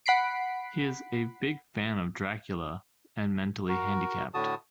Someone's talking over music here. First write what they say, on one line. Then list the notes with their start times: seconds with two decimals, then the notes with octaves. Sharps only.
He is a big fan of Dracula, and mentally handicapped.
0.06 F#5 B5 B6 C7 D7
3.68 F#4 A#4
4.34 A2 D3 F#4 A5 D#6